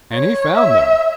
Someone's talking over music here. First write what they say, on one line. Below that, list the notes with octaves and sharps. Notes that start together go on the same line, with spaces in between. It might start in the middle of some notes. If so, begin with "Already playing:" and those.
And he found them.
C#5
E5